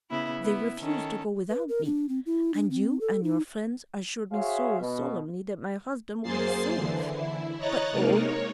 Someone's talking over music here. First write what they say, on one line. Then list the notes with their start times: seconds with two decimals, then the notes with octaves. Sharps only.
They refused to go without me . . . and you and your friends assured me so solemnly that my husband would be safe. But, oh!
0.10 C#3 B3 E4
0.43 B3 E4
0.79 D#3 C#4 A4
1.49 B4
1.69 A#4
1.85 D4
2.09 C4
2.26 E4
2.54 D4
2.70 C4
3.01 A4
3.23 D#4
4.32 F#4 G#4 C5 C#5 E5 F5
4.79 B2
6.23 F#2 A#3 G#4 C5 A6 C7
6.74 D3 E3
7.12 E4
7.58 C#5 D#5 A#5 F#6 A6
7.91 C3 G#3 A#3 D#4 A#4
8.22 C#5